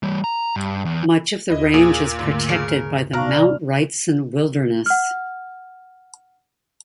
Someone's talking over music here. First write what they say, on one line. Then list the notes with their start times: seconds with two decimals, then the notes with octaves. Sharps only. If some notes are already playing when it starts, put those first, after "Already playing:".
Much of the range is protected by the Mount Wrightson Wilderness.
0.03 E3 G3
0.24 A#5
0.56 G2
0.85 E2
1.50 D#2 E4 D#5
1.74 A#2 G#4
2.19 G#2 D3 A3 F4
2.49 C#3 A#4
3.13 C3 D4 F5 A#5 C#6 F6
4.86 F#5 F6